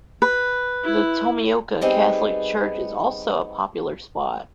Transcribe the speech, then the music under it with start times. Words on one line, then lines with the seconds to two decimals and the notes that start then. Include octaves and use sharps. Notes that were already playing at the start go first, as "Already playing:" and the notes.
The Tomioka Catholic church is also a popular spot.
0.22 B4
0.84 E4
1.81 G3 B3 C4 D#4 G#4